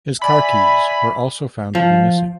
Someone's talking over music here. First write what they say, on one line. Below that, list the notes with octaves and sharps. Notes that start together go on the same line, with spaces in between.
His car keys were also found to be missing.
D5 E5 G#5 B5
F3